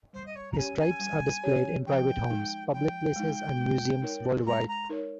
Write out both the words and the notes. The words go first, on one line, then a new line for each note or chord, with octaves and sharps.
His stripes are displayed in private homes, public places, and museums worldwide.
G3 C5
D#5
C#5
A#5
C#4 G4 C#5 G#5
G#5
G3
C#4 G4 C#5
F3 G5
G#3 D#4
F3 G5
G#3 D#4
G#3
D#4 A#4 C#5
G#3 A#5
A#5
D#4 A#4 C#5